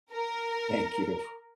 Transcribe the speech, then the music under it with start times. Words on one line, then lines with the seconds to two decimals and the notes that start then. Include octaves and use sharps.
Thank you.
0.14 A#4